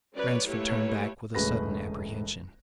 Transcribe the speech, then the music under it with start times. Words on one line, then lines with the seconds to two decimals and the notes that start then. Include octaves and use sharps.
Ransford turned back with a sudden apprehension.
0.15 F#3 A3 C#4 B4 C#5 D5
0.47 A3 A#3 E4 G4 B4 C#5
1.35 E1 A2 C#3 B4 A#6